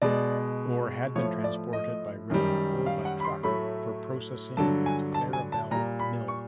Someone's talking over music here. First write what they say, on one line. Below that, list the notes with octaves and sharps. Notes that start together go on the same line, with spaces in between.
Ore had been transported by rail or by truck for processing at Clarabelle Mill.
B2 G#3 D5
A2 F3 A3 C#5
D5
D#5
F#2 D#3 G3
F5
F#5
B5
C6
A2 F#3 A3 B5
G2 D3 F#3 A5
G#5
A5
G#5
A5
A#2 G3 A#5
B5
C#6